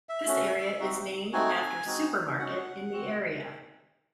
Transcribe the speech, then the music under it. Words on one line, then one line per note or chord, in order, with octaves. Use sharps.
This area is named after Supermarket in the area.
E5
A3 C#4 F#4
C4 D#4 F#4
A3 C4 D#4 F#4 G#5
G#3 C4 D#4 F#4
G#3 C#4 F#4 F#5
C4 F#4